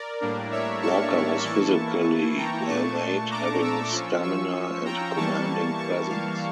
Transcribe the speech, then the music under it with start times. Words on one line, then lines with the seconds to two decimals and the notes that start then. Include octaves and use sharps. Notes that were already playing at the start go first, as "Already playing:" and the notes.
Walker was physically well made, having stamina and a commanding presence.
Already playing: A#4 D5
0.21 A2 G3 A#3 D4
0.52 C#5 E5
0.82 A5 C#6
1.44 E3 A#3 E4 A5 C#6
2.37 G5 A#5
2.68 A#2 A3 D4 A5 C#6
3.31 A#5 D6
3.62 C#6 E6
3.92 F3 C#4 F4
4.23 C#6 E6
4.85 G5 A#5
5.17 E3 G3 A#3 A5 C#6
5.78 A5 C#6
6.09 F5 A5